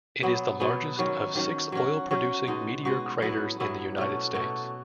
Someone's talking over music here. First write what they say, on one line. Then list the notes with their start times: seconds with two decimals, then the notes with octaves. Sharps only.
It is the largest of six oil-producing meteor craters in the United States.
0.23 B2 F#3 B3
0.60 B2 F#3 B3
0.98 D#3 F#3 C#4
1.35 D#3 F#3 C#4
1.72 F#3 C#4 F#4
2.11 F#3 C#4 F#4
2.47 B2 G#3 D#4 F#4
2.85 B2 G#3 D#4 F#4
3.22 A2 F#3 B3 E4
3.60 A2 F#3 B3 E4
3.97 B2 A3 C#4 F#4
4.35 B2 A3 C#4 F#4